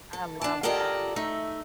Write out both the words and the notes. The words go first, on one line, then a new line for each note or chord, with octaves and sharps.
I love that.
A4
D4 A5
F4 G4 A4 A#4 D5 D#5
A3 D#4 E5